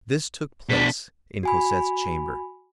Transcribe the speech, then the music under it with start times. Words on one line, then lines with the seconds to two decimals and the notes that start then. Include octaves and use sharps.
This took place in Cosette's chamber.
0.69 B2 D4 B6
1.43 F#4 G#5 B5